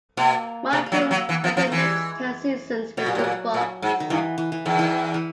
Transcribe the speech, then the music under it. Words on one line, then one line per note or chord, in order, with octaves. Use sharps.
Moncrief spent the next ten seasons with the Bucks.
B2 A#3
C3 A#3
A#3
F#3
B3
A#3
F#3
A#3
E3 B3
F3
A#3
F3
E3 A3
G3
G#3
B2 F#3
A#2 G3
A2
A#2 F#3
A#2
G#2
D#3
G2 E3
E3
E3
E2 D#3
E3
E3